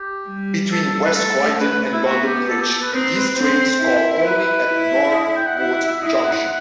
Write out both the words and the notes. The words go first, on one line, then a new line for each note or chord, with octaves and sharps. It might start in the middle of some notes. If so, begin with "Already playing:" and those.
Between West Croydon and London Bridge, these trains call only at Norwood Junction.
Already playing: G4
G3
A4
A4
A4
B4
A3 A4
B4
B4
E4
B3 F#4
G4
A4
G4
A4
B4
C4 D#4
B4
C4 C5
E4
B4
E4
D#5
G5
F#5
E4 F#5
F#5
E5
E4 D#5
D#5
F#5
F#5